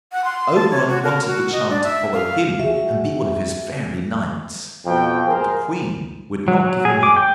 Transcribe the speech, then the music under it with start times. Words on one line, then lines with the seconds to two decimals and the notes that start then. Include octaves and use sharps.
Oberon wanted the child to follow him and be one of his fairy knights; but the Queen would not give him up.
0.12 F#5
0.25 C6
0.56 A5
0.71 C#5
0.89 F#4
1.04 A#4
1.27 F#4
1.52 D#5
1.70 D4
1.84 E5
2.13 F5
2.60 F#4 G#4 E5
4.86 F2 B2 F3 G5
5.26 G#4 A#4 C5
6.48 F#3
6.60 F#3
6.85 G#4
7.03 D6
7.16 G5